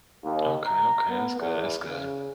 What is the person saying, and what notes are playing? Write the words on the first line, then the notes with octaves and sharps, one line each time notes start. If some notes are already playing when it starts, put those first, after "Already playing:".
Okay, okay, that's good, that's good,
D#2
A#5
B3
E2
C#3